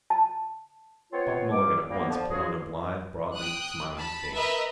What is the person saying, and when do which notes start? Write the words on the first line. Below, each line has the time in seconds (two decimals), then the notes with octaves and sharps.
Buck Mulligan at once put on a blithe broadly smiling face.
0.10 A5
1.12 B3 C4 F4 C#5
1.50 C#2 F#2 G3 D6
1.88 F3 G3 A#3 B3
2.08 D3 F3
2.30 C#4 F4 F#4 G#4
3.35 G5 D#6 F#6
3.97 A5 B5
4.34 A#4 B4 D#5 E5 A#5 B5